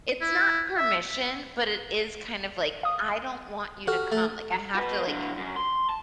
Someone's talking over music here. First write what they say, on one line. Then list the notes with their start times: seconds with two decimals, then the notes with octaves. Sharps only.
"It's not permission, but it is kind of like, I don't want you to come. Like, I have to, like,
0.21 E4
0.77 E5
2.83 F5 D#6
3.87 F#4 G4 A4 F6
4.12 A3
4.75 F#4 B4
5.07 D3 F#3
5.37 F#2
5.56 C6
5.89 A5